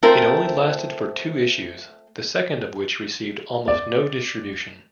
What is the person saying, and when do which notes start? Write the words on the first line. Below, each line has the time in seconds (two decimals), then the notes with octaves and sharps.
It only lasted for two issues, the second of which received almost no distribution.
0.03 A3 C4 F4 A#4 C5 D5
3.68 D5